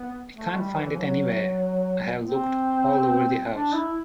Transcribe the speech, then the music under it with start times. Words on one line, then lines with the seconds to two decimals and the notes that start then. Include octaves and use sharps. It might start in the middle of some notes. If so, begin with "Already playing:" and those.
I can't find it anywhere; I have looked all over the house.
Already playing: B3
0.35 A3
0.55 G3
0.76 E3
0.98 F#3
2.25 C4
3.52 D4
3.73 E4